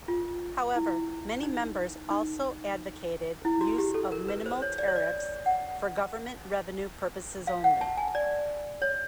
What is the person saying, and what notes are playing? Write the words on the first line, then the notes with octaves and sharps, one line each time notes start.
However, many members also advocated use of minimal tariffs for government revenue purposes only.
F4
E4
D#4
D#4
E4
F#4
G4
A4
A#4
B4
C5
C#5
D5
C#5
D5
F#5
F5
F#5
A5
G#5
D5
C#5